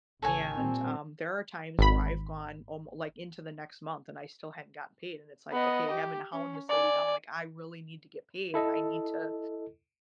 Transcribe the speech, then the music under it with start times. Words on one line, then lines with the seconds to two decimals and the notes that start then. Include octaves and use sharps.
and, um, there are times where I've gone almo like, into the next month, and I still hadn't gotten paid, and it's like, "Okay," having to hound this lady down, like, "I really need to get paid. I need to,
0.22 A1 C#3 A4 C#5 G#5
0.55 A#2 G3 C4
1.79 G#1 B5
5.52 B3 D#5
5.91 G4
6.33 C#4
6.69 D5 G#5
8.54 E4 A4 D#5